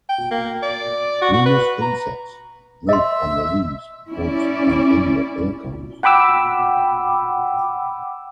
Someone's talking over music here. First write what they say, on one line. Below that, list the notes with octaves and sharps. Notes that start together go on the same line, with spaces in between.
Numerous insects live on the leaves, buds, and in the acorns.
G5
A#3
D5
F#4
F#4
B4
A#5
D#5 E5 C6
C#4 E4 D5
F#5 G5 B5 D6 E6